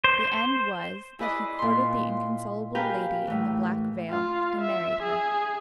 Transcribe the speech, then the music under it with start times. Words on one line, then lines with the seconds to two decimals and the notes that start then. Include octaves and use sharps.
The end was, that he courted the inconsolable lady in the black veil, and married her.
0.04 C5
1.19 E4 G#4 B4 D5 D#5
1.59 A#2 C6
2.75 G4 G#4 A#4 B4 F5 G5
3.27 A2 E3
4.10 F4
4.61 E5
5.03 G#4